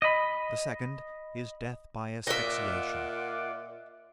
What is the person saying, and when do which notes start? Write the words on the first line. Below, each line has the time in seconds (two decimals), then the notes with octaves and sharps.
The second is death by asphyxiation.
0.02 D#5 B5
2.27 A#2 F4 D#5 E5 F#5 D6